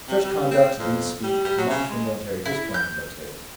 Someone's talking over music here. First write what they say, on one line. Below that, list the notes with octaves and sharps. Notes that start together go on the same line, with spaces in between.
Such conduct didn't speak much for military discipline in those days.
C3
G3
C4
F2
G3
G3
F#3
C#3
G#3
E4
G6